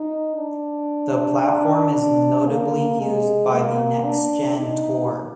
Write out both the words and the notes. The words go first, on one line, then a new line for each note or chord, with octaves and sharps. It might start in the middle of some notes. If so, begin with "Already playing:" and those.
The platform is notably used by the Next Gen Tour.
Already playing: D#4
D4
D4
D4
A#3
G#3
A#3
D4
D#4